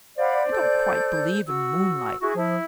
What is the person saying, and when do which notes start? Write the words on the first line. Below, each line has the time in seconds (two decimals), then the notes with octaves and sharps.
I don't quite believe in moonlight.
0.18 C5 D5 F5 F#5 B5
0.51 A4 G6
1.46 F#4 E6
2.21 E4 F#4 G#4
2.36 F3 E4